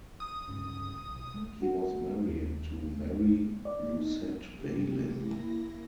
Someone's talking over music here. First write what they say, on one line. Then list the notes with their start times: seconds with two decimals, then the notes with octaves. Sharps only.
He was married to Marie-Lucette Valin.
0.20 D#6
0.48 G1 C#2 C#3
1.07 B1
1.34 G#3 A3
1.62 F#4
2.28 D#2
3.65 D5
3.97 D#4
4.50 C3 G4
5.13 A#3 E4 A#6